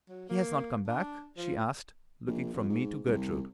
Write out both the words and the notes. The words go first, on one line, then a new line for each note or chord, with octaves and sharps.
"He has not come back?" she asked, looking from me to Gertrude.
F#3
A#3
D4
F3
A#1
F2
G#2
C2